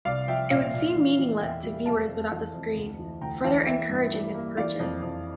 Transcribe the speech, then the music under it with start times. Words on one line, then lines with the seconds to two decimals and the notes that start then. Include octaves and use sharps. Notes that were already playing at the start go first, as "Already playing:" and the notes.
It would seem meaningless to viewers without the screen, further encouraging its purchase.
0.05 C2 D5 F5
0.27 F3 E5 G5
0.50 A#2 D5 F5
0.74 A#2
0.96 E3
1.19 E3
1.41 E2 E5 G5
1.63 G3
1.86 F2 F5 A5
2.09 F2
2.32 E3
2.54 F2
2.77 D2
2.99 E3
3.21 D2 G5 A#5
3.44 E3 F5 A5
3.67 A#3 E5 G5
3.89 G2
4.12 G3
4.34 A#3
4.57 E3 D5 F5
4.80 F2
5.02 F2